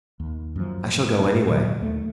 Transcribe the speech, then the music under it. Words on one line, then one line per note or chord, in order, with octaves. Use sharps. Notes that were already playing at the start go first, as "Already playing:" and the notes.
I shall go anyway.
D#2
F#2 F3
G#2
A#2 D3 F#3 G#3
D#2 A3